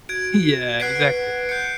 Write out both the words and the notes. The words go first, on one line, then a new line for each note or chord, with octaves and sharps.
Yeah, exactly.
F#4 G#6 D7
B4 F#5 F#6 C7 D7
G6 C#7